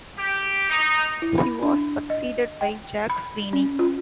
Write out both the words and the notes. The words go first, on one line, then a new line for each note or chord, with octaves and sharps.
He was succeeded by Jack Sweeney.
G4
D#4
E4
B5
D4
D#5
G5
B5
C#4
F4